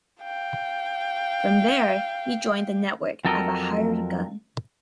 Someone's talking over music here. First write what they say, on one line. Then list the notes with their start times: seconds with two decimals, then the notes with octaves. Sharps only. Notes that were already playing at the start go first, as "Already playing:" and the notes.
From there, he joined The Network as a "hired gun".
0.23 F5 G5
3.25 F2 F#3 A4 A#4 D#5